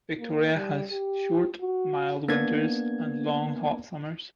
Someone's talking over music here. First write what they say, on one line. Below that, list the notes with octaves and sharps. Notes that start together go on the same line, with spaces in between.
Victoria has short mild winters and long hot summers.
A#3
G3
G4
F#4
A#3 B3 D4 G#6